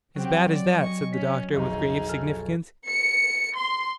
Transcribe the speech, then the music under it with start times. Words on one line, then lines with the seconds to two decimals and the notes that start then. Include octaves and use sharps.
"As bad as that," said the doctor, with grave significance.
0.16 F#3 C4 G4
0.50 D5
0.82 D#5 G#5 C#6
1.13 C#4 B6
1.53 B1 F2 F3 D#4 G#4
2.09 A4 G#5 F6
2.88 C#7
3.57 C6